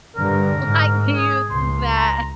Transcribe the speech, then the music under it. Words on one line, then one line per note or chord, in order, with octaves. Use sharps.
Like, do you think that
G2 D3 A#4
G#2
G#4
C#2 C6
A#5